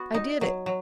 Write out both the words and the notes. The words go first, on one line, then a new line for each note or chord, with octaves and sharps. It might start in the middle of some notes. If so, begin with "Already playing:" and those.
I did it.
Already playing: B3 F#4
D#4
F#3
F#3